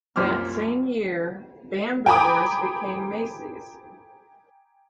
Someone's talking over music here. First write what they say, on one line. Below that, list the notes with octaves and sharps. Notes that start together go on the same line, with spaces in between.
That same year, Bamberger's became Macy's.
C2 F#2 A#2 C5 D6 F6
G5 G#5 A#5 B5 D6 D#6